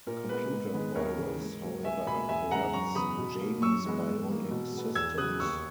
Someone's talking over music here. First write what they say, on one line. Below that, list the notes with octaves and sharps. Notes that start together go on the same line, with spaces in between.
A computer virus, however, corrupts Jaime's bionic systems.
A#2 A#4
G#3 B3 B4
G#2
D#3 G#3 B3
D#2 A#4 C#5
C#3 E3
G#2
F#3 A#3
C#2 E5 G#5
B2 A#3 G#5 B5
E2 E5 G#5
C#3 G#3 F#5 A#5
F#2 A#5 C#6
C#3 E3 B3 B5 D#6
B2
A#3
F#2 C#6 E6
E3 G#3 B3
G#2
E3 A#3
B2
G#3 B3
E2 E6 G#6
C#3 F#3 D#6 F#6
D#2 C#6 E6